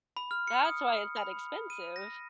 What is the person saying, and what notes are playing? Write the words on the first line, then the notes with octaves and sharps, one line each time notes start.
that's why it's that expensive."
B5
F6
C#7
D#6
B5
D#7
A#6